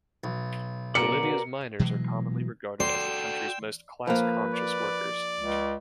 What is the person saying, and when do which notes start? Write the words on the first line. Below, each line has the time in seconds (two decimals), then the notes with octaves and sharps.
Bolivia's miners are commonly regarded as the country's most class-conscious workers.
0.24 B1
0.95 C#3 B3 F#4 A#4 D5 C#7
1.79 B2 E3 F#3 G#3
2.80 F#4 A4 D5 G5 C6 E6
4.07 F3 A#3 B4
4.54 D5
5.40 C#2